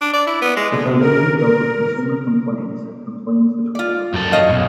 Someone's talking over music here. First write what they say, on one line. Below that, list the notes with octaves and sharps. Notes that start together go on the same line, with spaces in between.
The Foundation deals with consumer complains and complains between entreprises.
D4
D5
E4
B3
G#3
D3
A#4
A#4
F4 D5
F#2 A4
C#5 D#5 F5
B1 G2